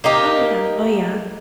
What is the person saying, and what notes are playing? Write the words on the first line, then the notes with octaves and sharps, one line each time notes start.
Oh, yeah, oh, yeah.
A#3 D#4 G4 A#4